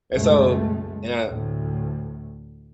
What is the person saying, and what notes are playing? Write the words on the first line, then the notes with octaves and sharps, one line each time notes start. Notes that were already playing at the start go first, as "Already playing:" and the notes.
and so and,
F#1 C#2 B2 G#3 A3
D2 A2